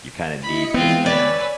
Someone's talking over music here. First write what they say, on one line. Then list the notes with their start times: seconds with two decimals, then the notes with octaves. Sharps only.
you kinda need to spend.
0.42 E4 D#5 B5 C#7
0.74 E3 G#3 B3 C4 F4
1.06 B4 C#5 D5 G#5 E6